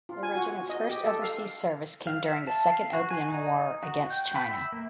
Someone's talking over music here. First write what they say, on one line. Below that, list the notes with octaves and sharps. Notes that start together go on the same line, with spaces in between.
The regiment's first overseas service came during the Second Opium War against China.
F4
G#5
F#4
D#5
G4
A4
F5
F5
E5
A5
F5
F#4
G#5
D#4
F#4
G5
B5
E5
A#3